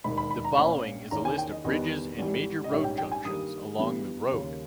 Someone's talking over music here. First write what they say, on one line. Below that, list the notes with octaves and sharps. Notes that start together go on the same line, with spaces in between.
The following is a list of bridges and major road junctions along the road.
E1 D#2 D#3 B5
B5
B5
A#5
A#1 A#2 A#3 C#4 B5
E2 D#3 A#3 C#4 A#5
G#5
G5
D#5
E2 D#3 G3 B3 D#5
G#1 G#2 E3 G3
D#5
A#1 G#2 G3 C#4 E5
G5
G5
G#5
G2 D#3 G3 A#3 D#6
G1 G2 E3 G3 B3
D#2 C#3 G3 A#3 C#4